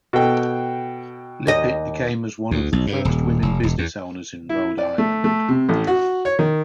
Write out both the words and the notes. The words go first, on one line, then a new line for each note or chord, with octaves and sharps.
Lippitt became as one of the first women business owners in Rhode Island.
B2 A4 G5
D#2 D#5
D2
B1
G2
D#1
F1
E1
E2
E4
D5
A3
A3
C3
A1
F#4
C#5
D#3